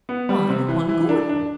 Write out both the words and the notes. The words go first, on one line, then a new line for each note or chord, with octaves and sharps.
"Why upon Gordon?"
B3
G3
C3
E3
E3
D4
D4